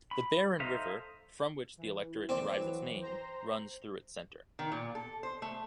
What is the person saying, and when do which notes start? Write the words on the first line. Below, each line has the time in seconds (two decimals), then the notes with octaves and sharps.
The Barron River from which the electorate derives its name runs through its centre.
0.11 B5
0.60 D#4 A4 C5 E5 F5
1.77 E3
2.29 D#2 A3 A#3 C4 D5
2.56 E3 F#3
3.01 C5 A#5 C6
4.59 D#3
4.72 A#2
4.95 A4
5.23 C5
5.42 A3